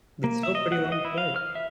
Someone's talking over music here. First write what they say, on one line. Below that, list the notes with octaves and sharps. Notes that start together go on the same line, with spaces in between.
That's still a pretty long flight.
A#3
E5
D#5
F#5
D#5
E4
F5
F6
E5